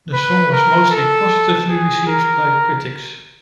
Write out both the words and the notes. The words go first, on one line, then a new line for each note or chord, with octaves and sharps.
The song was mostly positively received by critics.
B4
A#4
A4
G#4
A#4